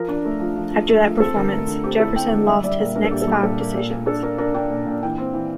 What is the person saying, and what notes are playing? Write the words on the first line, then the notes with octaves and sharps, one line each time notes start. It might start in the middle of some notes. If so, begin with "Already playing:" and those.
After that performance, Jefferson lost his next five decisions.
Already playing: F3 A#4
D4
A3
F3
F3
F3
A3
F3
C4 A4
D3 A#4
A3 A#4
D3
C4 G4
E4 A4
C4 G5
D3
G3 E5
G3 D5
A#2 A#4
D4 A#4
A4
A#2 G4
A4
G3
G4
A#2 A4
A#3
A#2
A#2
D4 A4
D4 A#4
D4 A#4
D4 G5
A#2
A#2
E3 G5
C4
E3